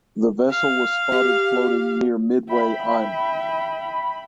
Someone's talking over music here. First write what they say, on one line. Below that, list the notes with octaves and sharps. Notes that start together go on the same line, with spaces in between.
The vessel was spotted floating near Midway Island.
F5
G4
E5 G5 B5